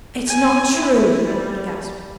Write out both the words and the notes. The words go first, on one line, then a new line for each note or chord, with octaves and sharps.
"It's not true!" he gasped.
G#5
E4
G3